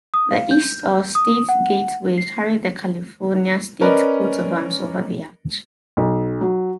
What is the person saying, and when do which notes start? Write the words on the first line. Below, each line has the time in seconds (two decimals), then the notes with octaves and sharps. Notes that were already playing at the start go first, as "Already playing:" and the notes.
The East or State Gateway carried the California state coat-of-arms over the arch.
0.14 D#6
0.31 F5
0.51 G6
1.15 D#6
1.49 F#5
2.18 C7
3.81 C#4 A#4 B4 D5 D#5
5.97 B1
6.41 F#3